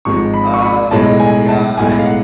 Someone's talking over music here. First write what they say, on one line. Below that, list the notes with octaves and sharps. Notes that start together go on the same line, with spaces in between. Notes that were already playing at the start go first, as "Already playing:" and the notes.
Oh my god.
G#1 G#2 F3 G#3 C#6
B5
C#6
B5
B1 A2 G#3 A5
G#5
A5
B1 A2 G#3 G#5
F5
F#5